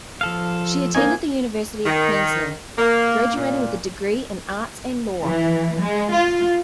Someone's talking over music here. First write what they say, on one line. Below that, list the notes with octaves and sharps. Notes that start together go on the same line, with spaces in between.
She attended the University of Queensland, graduating with a degree in arts and law.
F3 A4 F5
A#3 C4 D#4 G#5
D#3
A#3
A#2
E3
G#3
F4